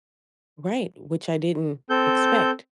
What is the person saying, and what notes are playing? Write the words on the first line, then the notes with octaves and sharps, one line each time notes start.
Right, which I didn't expect.
C4 A4 G6